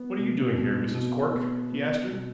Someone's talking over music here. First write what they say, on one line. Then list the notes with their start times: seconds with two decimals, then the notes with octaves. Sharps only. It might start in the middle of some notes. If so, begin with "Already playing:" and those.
"What are you doing here, Mrs. Cork?" he asked her.
Already playing: B3
0.18 B2
0.57 B2
0.95 B2
1.33 B3
1.72 B3
2.11 B2